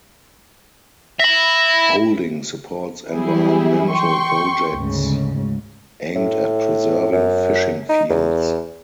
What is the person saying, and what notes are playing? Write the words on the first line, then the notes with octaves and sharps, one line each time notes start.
Holding supports environmental projects aimed at preserving fishing fields.
E5 B5 A#6
E3 F#3 G3 E4 G4 G#4
G5 C6 C#6
D2 G#2 C#3
A2
F#2
D#4
E2